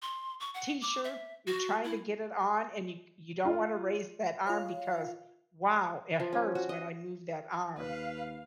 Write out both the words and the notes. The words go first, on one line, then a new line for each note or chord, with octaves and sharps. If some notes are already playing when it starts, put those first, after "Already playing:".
t-shirt, you're trying to get it on, and you c you don't wanna raise that arm because, wow, it hurts when I move that arm.
C6
C#6
F#5
D6
E5
F#4
E4
F4
F4 C#5 F5
F3
C#4
F#4
D#5
D#2 B4 F5